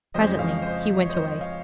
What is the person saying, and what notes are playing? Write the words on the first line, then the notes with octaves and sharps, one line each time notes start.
Presently he went away.
F2 C#3 G#3 C5 D#5
C#5 F5
C5 D#5
C#5
C5 D#5
C#5 F5